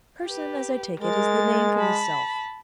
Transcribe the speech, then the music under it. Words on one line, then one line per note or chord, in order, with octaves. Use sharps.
PERSON, as I take it, is the name for this self.
G4 B4
G#3 A#4 A6
A5 B5